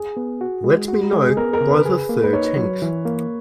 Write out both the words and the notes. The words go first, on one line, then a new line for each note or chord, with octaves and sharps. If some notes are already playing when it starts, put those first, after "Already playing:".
Let me know by the thirteenth.
Already playing: G#4
B3
F#4
G#3
F#4
G#3
G#4
B3 A#4
A#4
C#3
B4
G#4
A#3
B4
D#4 C#5
F#3
E3
A#3